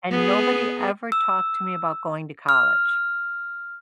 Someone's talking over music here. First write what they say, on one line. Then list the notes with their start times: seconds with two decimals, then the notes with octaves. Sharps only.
and nobody ever talked to me about going to college.
0.11 B3 G#4
1.12 E6
2.49 F6